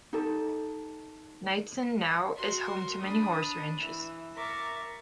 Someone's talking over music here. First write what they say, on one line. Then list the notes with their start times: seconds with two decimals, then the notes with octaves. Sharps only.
Knightsen now is home to many horse ranches.
0.13 D#4 G4 A4
2.36 F#4 A#4 C6
3.01 D4 B5 D#6
3.81 E3
4.37 A#4 E5 C#6 D6 A6